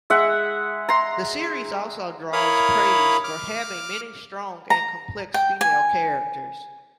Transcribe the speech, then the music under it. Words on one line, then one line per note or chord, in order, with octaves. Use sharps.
The series also draws praise for having many strong and complex female characters.
G#3 E5 F#5
A#5 C6
E4 A#4 C#5 F5 B5 D#6
D6 F6
A#5
G5
G#5